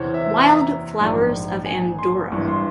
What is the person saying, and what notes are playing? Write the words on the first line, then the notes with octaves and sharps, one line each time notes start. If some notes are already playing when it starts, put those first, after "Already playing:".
Wild Flowers of Andorra.
Already playing: E2 C3 E3 C5 C#5
E5
A#5
A#1 G#2 F3
G#5
C6
G#1 G2 E3 C#6
C6